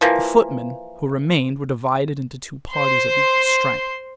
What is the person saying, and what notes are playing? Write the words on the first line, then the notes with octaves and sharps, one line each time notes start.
The footmen who remained were divided into two parties of equal strength.
E3 F3 A#3
C5 C6